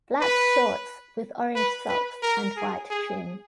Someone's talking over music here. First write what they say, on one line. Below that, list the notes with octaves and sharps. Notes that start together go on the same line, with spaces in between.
Black shorts with orange socks and white trim.
B4
B4
B4
A#4
G#4
G#4